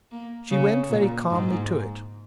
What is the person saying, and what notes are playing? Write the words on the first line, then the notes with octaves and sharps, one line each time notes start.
She went very calmly to it.
A#3
C#3
A#2
G#2